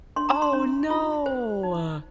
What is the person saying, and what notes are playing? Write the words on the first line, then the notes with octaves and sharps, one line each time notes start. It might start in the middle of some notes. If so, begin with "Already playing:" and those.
Oh, no.
D4 C6
A#5
C6
D4
F4
C5
D#4